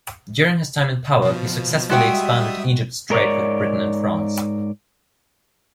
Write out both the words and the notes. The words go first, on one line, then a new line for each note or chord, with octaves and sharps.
During his time in power, he successfully expanded Egypt's trade with Britain and France.
B2 F3
G3 G#3 F#4 E5 G5 D#6
G#2 A#4 C#5 D5